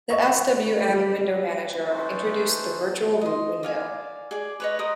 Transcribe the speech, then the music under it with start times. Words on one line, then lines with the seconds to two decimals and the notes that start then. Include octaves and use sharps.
The swm window manager introduced the virtual root window.
0.10 C#6
0.88 G3
1.90 C#4 D#4 E4 A4 B4 C5
3.21 D#5 C6
3.63 D5 F5 G#5
4.31 G#4 D5
4.60 B4 C#5 D#5
4.79 A#4 C5 D#6